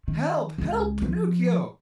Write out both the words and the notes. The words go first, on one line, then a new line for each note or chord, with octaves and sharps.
"Help, help, Pinocchio!"
D#3
C#2 G#3
F3